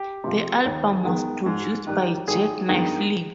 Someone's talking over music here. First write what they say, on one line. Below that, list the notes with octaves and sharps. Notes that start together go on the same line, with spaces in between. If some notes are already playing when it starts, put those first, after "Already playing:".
The album was produced by Jacknife Lee.
Already playing: G4
C3 F3
D#2
D#3 G#3 B3
G#2
D#3 G3
G#1 G#4
G2 D#3 G#3 B3